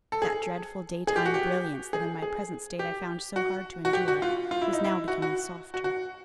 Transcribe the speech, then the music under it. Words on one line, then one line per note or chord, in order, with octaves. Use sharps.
That dreadful daytime brilliance that in my present state I found so hard to endure was now becoming softer.
A4
G#4
G#4
G4
F#4
G4
G#4
G#4
G4
F#4
F#4
G4
F#4
F4
F4
E4
D#4
E4
F#4
F#4
F#4
F#4